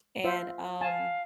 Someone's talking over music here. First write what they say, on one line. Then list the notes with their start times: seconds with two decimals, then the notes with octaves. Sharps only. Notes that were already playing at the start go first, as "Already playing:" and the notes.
And, um,
0.24 F4 C5 E5
0.81 F5 G#5 A5